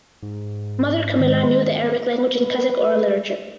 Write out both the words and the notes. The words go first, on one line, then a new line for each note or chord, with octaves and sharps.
Mother Kamila knew the Arabic language and Kazakh oral literature.
G#2
D#3 G#3
B4